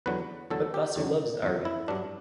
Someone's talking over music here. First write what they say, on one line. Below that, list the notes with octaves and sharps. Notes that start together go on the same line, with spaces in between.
But Vasu loves Arjun.
E2 D3 F#3 B4
E2 D3 F#3 A4
G4
E2 D3 F#3
E2 D3 F#3
E4
G2 F#3 D4